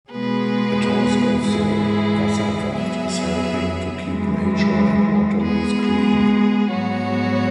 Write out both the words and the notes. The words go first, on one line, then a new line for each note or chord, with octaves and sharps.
A task of the Wasserwacht is helping to keep nature and waterways clean.
B2 G#3 B3 G#4 B4
G#2 E3 G#3 E4 G#4
F#3 B3 G#4 E5
F#2 E3 G#3
G#3 B3 G#4
G#2 F#3 B3 F#4 C#5